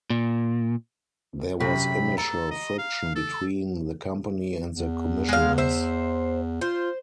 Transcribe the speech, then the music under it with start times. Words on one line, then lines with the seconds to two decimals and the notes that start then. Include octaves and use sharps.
There was initial friction between the company and the commissioners.
0.10 A#2
1.60 F#2 C3 B5
2.18 A4 A#5
2.51 D#5
2.78 F5
3.15 A4
4.73 E2
5.28 G#3 F5
5.58 C5 E5
6.61 F4 C5